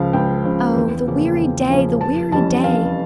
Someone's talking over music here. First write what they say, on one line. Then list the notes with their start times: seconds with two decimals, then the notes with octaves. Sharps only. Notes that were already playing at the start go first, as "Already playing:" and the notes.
Oh, the weary day! the weary day!
Already playing: C#2 C#3 F3 F5
0.13 C#2 G5
0.45 C#3 F3
0.76 E2
1.07 C#3 F3 A#3 C#4
1.38 E2
1.70 C#3 F3 A#3 C#4
2.01 F1 A5
2.32 F2 E3 G3 C#4 A5
2.64 F1 F5